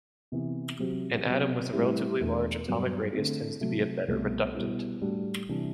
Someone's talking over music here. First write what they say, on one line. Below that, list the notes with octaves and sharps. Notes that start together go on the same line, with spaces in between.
An atom with a relatively large atomic radius tends to be a better reductant.
C3 E3 B3
C3 F#3 C4 G4
C3 F#3 B3
A2 G3 C4 E4 G4
E2 B2 A3 D4
G2 F#3 B3 F#4
D3 A3 C4
C3 F#3 A3
C2 B2 A3
B2 G3 B3 E4
A2 G3 D4 F#4
C3 E3 G3 D4